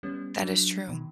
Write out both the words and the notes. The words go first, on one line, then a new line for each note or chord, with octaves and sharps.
That is true.
G3 B3 C#4
F#3 D4
B2 D#3